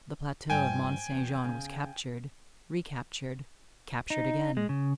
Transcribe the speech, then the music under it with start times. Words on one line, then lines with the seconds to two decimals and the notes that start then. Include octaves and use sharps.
The plateau of Mont-Saint-Jean was captured, recaptured, captured again.
0.50 G2 F3 G5 G#5
1.11 E2
1.44 C#3
4.10 D#4
4.57 G#3
4.69 C#3